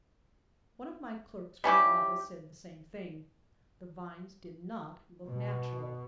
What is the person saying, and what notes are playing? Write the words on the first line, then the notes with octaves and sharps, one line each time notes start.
One of my clerks from the office said the same thing--the vines did not look natural.
G3 C#4 E4 G4
B2